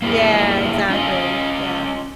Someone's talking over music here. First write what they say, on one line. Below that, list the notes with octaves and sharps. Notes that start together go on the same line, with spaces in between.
Yeah, exactly. Yeah.
A#3 B3 E4 G#4 A#4
C#4 F4 D#5